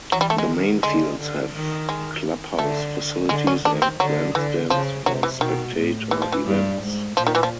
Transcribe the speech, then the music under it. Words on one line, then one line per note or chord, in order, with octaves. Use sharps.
The main fields have clubhouse facilities and grandstands for spectator events.
E3 F#3
G3
A3
G#3
D#3
D3 G#3
D3
D#3
G#3
D3 A3
D3 G#3
C#4
D#3 D4
C4
D3 F#3
D3 E3
C#3 F3
C3 F#3
E3
B2 D#3
A2
E3
F3
E3
G2
G#2
A#2 F3
D#3
E3
F3